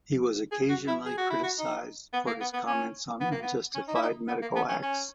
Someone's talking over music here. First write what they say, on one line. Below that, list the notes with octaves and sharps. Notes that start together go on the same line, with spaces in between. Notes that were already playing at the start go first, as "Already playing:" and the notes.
He was occasionally criticized for his comments on unjustified medical acts.
G#4
F#4
E4
G#4
F#4
E4
F#4
D#4
B3
A#3
B3
B3
C#4
B3
A#3
B3
C#4
D#4
E4
D#4
B3
A#3
B3
C#4
C#4